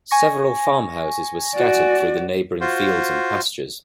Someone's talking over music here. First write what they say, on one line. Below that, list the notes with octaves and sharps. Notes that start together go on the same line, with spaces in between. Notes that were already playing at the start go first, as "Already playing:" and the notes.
Several farmhouses were scattered through the neighbouring fields and pastures.
G#5 C#6 A#6
F#4 D5
F4 F#4 C5